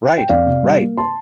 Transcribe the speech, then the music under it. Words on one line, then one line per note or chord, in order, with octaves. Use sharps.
Right, right.
G5
F2 D5 F5
C3
G3
A#3
A5 C6